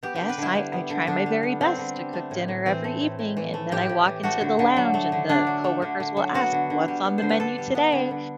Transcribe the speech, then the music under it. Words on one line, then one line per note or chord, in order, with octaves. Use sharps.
"Yes, I I try my very best to cook dinner every evening," and then I walk into the lounge, and the coworkers will ask, "What's on the menu today?"
B3 G4
G4
D3
B4
D3 E4
G3
B3
D3
D3 D4
G3
B3
D3 C4
D3
G3
A3
A2
A2
E3 C4
A3
A2
A2
E3
A3
A2 G4
A2
E3
A3 F#4
D3
D3
F#3
A3
D3
D3 D4
F#3
A3
D3
D3
F#3
B3 F#4
D3
D3
G3
B3
D3 C5
B4
D3 A4
G3
B3
D3
D3